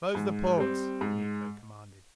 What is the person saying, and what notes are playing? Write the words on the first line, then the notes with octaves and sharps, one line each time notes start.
"Close the ports!" Miko commanded.
G#2
G3 C4
G#2